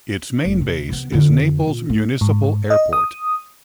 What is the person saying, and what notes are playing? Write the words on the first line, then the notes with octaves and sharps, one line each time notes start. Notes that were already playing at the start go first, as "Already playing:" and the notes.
Its main base is Naples Municipal Airport.
F1
C3
C3 B3
F2 D3
A#2
A3
G#2
D#5
D#6